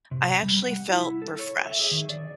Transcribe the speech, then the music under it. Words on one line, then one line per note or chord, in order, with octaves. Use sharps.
I actually felt refreshed.
C3
G3
F#5
E4
A4
C#5
E5
G#4
D#3
D5